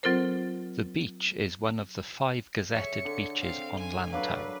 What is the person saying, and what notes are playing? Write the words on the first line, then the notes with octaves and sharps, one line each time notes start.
The beach is one of the five gazetted beaches on Lantau.
F#3 C4 F4 A4 A#4 C5
G#4 C#5 E5 C#7
D3
C4 F5
G#5
F#3 D4 A#4 B4 F5